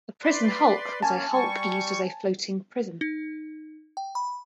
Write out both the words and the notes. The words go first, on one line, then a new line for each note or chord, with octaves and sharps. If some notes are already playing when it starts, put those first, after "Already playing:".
A prison hulk was a hulk used as a floating prison.
B4 D5 C6
A#3 C#4 G#5 A5
G3 C#6
D#4
G5
B5